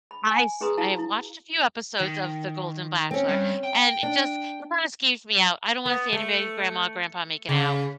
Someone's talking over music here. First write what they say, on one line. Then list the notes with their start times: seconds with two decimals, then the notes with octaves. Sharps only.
I s I have watched a few episodes of The Golden Bachelor, and it just it kinda scares me out I don't wanna see anybody's grandma or grandpa making out,
0.11 B5
0.30 G#5
0.61 C#4 G#4 B4 A#5 C6 D#6
0.77 E4 F#4 F5 A5 A#5
0.98 E4
2.00 D#3
3.11 C4 C#4
3.28 G2
3.63 G5
4.03 D4
5.86 B3
6.12 A3
7.49 C#3